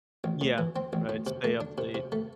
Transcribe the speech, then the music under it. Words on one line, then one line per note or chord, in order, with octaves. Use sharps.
Yeah. Right, stay up late.
A1
A2
E3
C4
A1
A2
C3
A3
D4
C3
C3
A3